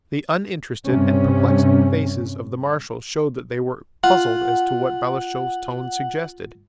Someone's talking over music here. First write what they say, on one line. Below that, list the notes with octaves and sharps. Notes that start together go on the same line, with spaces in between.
The uninterested and perplexed faces of the marshals showed that they were puzzled as to what Balashev's tone suggested.
G2 C3 C#4
F4 F#5